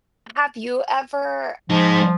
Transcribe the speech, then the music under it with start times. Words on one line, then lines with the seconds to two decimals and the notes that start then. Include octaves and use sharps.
Have you ever
1.70 F3 G#3 D#4